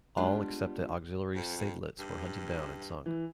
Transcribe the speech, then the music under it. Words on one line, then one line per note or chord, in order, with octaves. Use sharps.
All except the auxiliary "Seydlitz" were hunted down and sunk.
G3 G#3 B3 D4 F4
F2
G2
E3